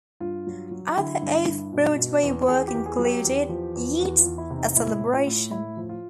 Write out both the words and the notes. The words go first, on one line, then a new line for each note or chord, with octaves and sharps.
Other Off-Broadway work included "Yeats: A Celebration".
G2 F4
F#3
F#3
D3 E4
G2
G2
B2
B2
E2
E2 G#4
G4
E2
G#4
F#3
G4
E2
F3
E2
E2 F#4
F4
E2
E4
C3
D#4
A2 E4
A2
F4
A2
A2 E4
F3
F4